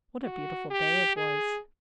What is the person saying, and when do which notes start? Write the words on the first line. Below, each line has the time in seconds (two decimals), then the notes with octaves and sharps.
What a beautiful day it was!
0.24 F#4
0.71 G4
1.17 G#4